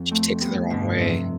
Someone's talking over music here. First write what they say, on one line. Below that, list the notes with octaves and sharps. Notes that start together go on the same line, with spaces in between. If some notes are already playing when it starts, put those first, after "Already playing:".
She takes it the wrong way.
Already playing: F2
A3 C4
G3 B3
G2 B2 D3
F2 C3